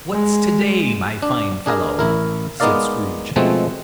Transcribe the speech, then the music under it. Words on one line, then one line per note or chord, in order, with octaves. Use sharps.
"What's to-day, my fine fellow?" said Scrooge.
G#3
D4
D4 G#4 A#4 A#5
A1 E4 A#4
G#3 B3 D#4 A#4 D5 F5
B2 F3 G#3 A3 C4